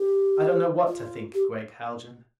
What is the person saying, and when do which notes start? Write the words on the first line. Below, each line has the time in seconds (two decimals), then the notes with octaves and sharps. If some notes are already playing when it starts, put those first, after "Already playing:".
"I don't know what to think, Gregg Haljan...."
Already playing: G4
0.87 F4
1.34 G4